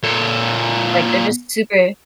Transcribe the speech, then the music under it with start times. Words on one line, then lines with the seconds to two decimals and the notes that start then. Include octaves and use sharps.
like, they're just super
0.03 A#2 A4